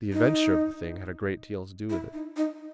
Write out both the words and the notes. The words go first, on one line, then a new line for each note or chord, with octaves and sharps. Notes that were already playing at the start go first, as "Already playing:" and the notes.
"The adventure of the thing had a great deal to do with it."
D#4
E4
D#4
D#4